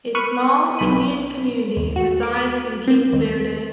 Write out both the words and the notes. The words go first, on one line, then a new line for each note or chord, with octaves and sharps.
A small Indian community resides in Cape Verde.
B5 C#6 F6 F#6 C#7 D#7
B1 B5 D#7
D#2
F#4
D6
C4
D#2